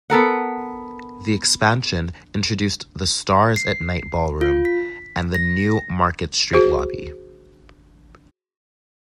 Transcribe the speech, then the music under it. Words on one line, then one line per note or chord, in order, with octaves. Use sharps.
The expansion introduced the "Stars at Night" ballroom and the new Market Street lobby.
B3 A4 A#4 F#5
C7
F4
B6
A#6
F#4 G#4 C5